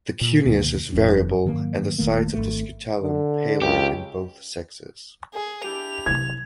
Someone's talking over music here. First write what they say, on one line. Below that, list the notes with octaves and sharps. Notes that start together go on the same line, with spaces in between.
The cuneus is variable and the sides of the scutellum paler in both sexes.
A#2
D2 B2 D#3 A#3
F1 F2 C#4
G#2 D#3 F#3 A#3
E1 D#3 A3 A#3
G#1 C#2 G#2 A3
D3
C#2 G4
G#4
D4 E4 G4 F7
C3 F#3 G#6